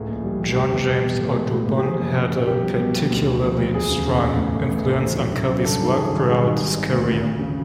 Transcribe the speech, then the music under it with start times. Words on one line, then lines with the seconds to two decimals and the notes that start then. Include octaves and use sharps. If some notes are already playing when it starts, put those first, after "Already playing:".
John James Audubon had a particularly strong influence on Kelly's work throughout his career.
Already playing: C#2 A2 G#4
0.08 A#1
0.24 G3
0.40 G3
0.55 F1 G4
0.71 E2
0.88 E2
1.04 E2
1.20 A2
1.35 G#3
1.52 A2
1.67 A2
1.78 G4
1.83 F3 G#4
1.99 F#1
2.15 F#1
2.31 F3
2.47 B1 G4
2.63 G3
2.79 B2
2.95 B1
3.10 D2
3.26 D2
3.42 F3
3.58 D2
3.74 E1 G#4
3.90 C#3
4.06 E1
4.22 C#3
4.37 A2
4.53 A2
4.69 A1
4.86 A2
5.02 D2
5.17 F#3
5.33 C#3
5.49 F#3
5.65 G2 A4
5.81 D#3
5.97 F#3 G#4
6.12 G#1
6.28 G3 G#4
6.45 G#2
6.60 G#2
6.76 G#1
6.92 D2
7.08 D2
7.24 D2
7.39 C#3